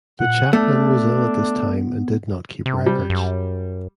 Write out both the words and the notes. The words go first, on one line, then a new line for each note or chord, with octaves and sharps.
The Chaplain was ill at this time and did not keep records.
A#2 F#5
A3 B3 D4
C3
G3
F#2